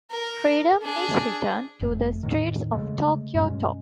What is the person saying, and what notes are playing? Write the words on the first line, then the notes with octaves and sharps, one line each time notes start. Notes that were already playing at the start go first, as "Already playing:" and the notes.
Freedom is returned to the streets of Tokyo-to.
A#4
D4 G#4
F#1 F2 A3
E2 A2 D#3
C#3 G#3 A3
G2 B2 G#3 C#4